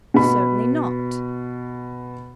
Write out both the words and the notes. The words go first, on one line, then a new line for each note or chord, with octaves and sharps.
"Certainly not."
B2 B5